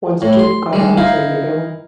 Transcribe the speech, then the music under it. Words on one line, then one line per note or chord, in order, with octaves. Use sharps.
One stood guard outside the door.
A2
C6
G3 G#3
D#4 E4 F5